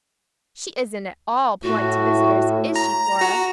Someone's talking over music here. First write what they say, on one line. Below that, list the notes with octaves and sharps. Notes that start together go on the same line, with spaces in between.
"She isn't at all polite to visitors, is she, Flora?"
A2 F#4
A#5
F#4 A#5